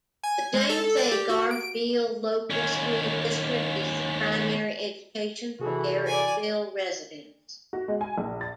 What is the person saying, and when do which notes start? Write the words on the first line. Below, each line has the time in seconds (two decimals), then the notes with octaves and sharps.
The James A. Garfield Local School District is the primary education for Garrettsville residents.
0.23 G#5
0.54 G#3
0.69 A4
0.97 D5
1.12 G4
1.29 F#4
1.51 D7
2.50 D#2 C#4
5.60 C3 E3 F#4 G#4 A4
6.07 D5 G#5
7.73 F#4
7.88 G#3
8.01 G#5
8.18 A#1
8.41 A6